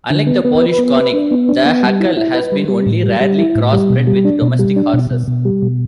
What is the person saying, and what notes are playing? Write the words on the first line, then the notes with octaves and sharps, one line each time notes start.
Unlike the Polish Konik, the Hucul has been only rarely cross-bred with domestic horses.
D3
B3
B3
B4
B3
B4
D4
B3
D4
B3
G3
E4
E4
B4
G3
G3
A2
G3
G3
E4
A2
G3
B2
G3
D4
B2
G3
D4
B2
B2
B2
G3
B2